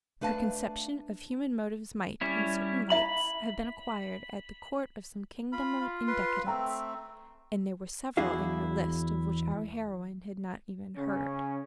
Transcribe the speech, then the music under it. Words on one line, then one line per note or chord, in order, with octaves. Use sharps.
Her conception of human motives might, in certain lights, have been acquired at the court of some kingdom in decadence, and there were several in her list of which our heroine had not even heard.
A3 D4 B4 F5 A5
G3 C#4 E4
E4 E5 A#5 B5
F4 B5
F4
B4 C6
A3 C4 E5 G5 A#5
E2 D4 E4 F#4 G#4 F5
C#3 C#4